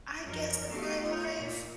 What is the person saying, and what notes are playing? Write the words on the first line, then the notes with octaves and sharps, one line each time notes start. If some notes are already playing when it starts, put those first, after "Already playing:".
I guess, in my life,
F#2 F3 D#4 A#4
A3 B3 F#4 G4 F5
F4 C#5
A#2